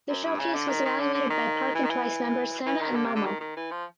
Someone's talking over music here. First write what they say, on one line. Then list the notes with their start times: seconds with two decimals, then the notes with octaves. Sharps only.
The showcase was evaluated by Park and Twice members Sana and Momo.
0.09 F#2
0.24 G2
0.39 C#3
0.54 D3
0.69 D#3
0.85 D#3
1.00 D3
1.14 D3
1.30 D#3
1.75 E3
1.85 D#3
1.90 E3
2.66 E3
2.81 D#3
2.95 D3
3.06 C3
3.15 D3
3.25 D#3
3.40 D#3
3.57 E3
3.71 F3